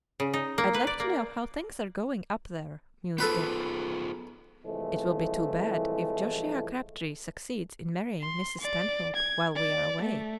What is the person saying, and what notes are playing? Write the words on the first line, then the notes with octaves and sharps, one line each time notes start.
"I'd like to know how things are going up there," mused Dick. "It will be too bad if Josiah Crabtree succeeds in marrying Mrs. Stanhope while we are away."
C#3
D#4
A#3
B4
D5
A#3
B3 F4 G#4 A4 B4 C5
C2 A2 E3 F3 G#3 A3
C6
D5
G#6
D5
A3